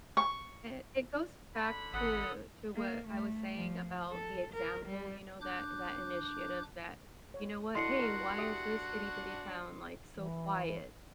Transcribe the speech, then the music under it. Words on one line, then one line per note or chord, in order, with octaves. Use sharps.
It it goes back to to what I was saying about the example, you know, that that initiative that, "You know what, hey, why is this itty-bitty town, like, so quiet?"
C#6
D3 B5
G#1 A4 F#5 D#6
A#3
A3
F3
A4
A#4
G3
D4 D6 F#6 G6
C#5
D4 E4 F#4 A4 D#5 C6 C7 C#7
A#4
G4 E5 D#6
E3